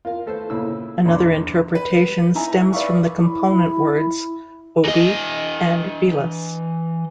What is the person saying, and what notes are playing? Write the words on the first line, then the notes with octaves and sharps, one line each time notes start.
Another interpretation stems from the component words: "odi" and "velas".
F4 A#4 F5
A3 A4 B4 C5
A#2 C#3 E4 E6
A#1 E2 D4 C6 D6
B4
D#4 E4 G#5 A#5
B4 D5 E5 F5 C#6
E4
E3 D#5